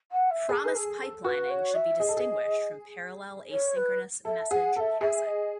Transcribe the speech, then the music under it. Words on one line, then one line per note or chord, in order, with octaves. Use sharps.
Promise pipelining should be distinguished from parallel asynchronous message passing.
F#5
E5
G#4 A4
B4
A4
A4
F#4 B4
C#5
E5
G#4 D#5
A4
G#4
C#5
B4
A4 E5
G#4 F#5
A4 E5 F#5
G#4 E5
D#5